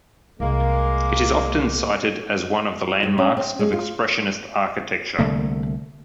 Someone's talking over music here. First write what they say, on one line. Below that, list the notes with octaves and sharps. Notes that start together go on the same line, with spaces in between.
It is often cited as one of the landmarks of expressionist architecture.
C2 G#3 A#3
G2
C#4
C4
G#3
F4
C2 D3 A3 A#3